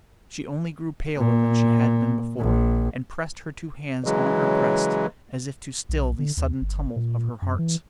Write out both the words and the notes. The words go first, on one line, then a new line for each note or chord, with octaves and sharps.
She only grew paler than she had been before, and pressed her two hands on her breast, as if to still the sudden tumult of her heart.
A#2
A#1
C#3 E3 F#3 G#3
B1
D3
D#2
G1
A#2
F#2
E3